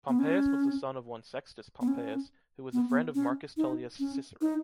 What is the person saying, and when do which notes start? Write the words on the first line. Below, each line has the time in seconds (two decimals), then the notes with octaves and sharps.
Pompeius was the son of one Sextus Pompeius, who was a friend of Marcus Tullius Cicero.
0.08 B3
0.19 C#4
1.81 B3
1.88 C#4
2.73 B3
2.89 B3
3.15 C#4
3.57 D#4
3.99 C#4
4.41 D#4